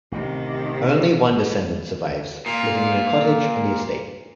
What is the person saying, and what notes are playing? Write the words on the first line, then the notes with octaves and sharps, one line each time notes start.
Only one descendant survives, living in a cottage on the estate.
A1 C3 D#3
A#2 F4